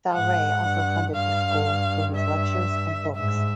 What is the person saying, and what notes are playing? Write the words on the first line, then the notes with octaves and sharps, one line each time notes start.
Faure also funded the school through his lectures and books.
G#2 F#5
G2
G2 F5
E5
G#2 E5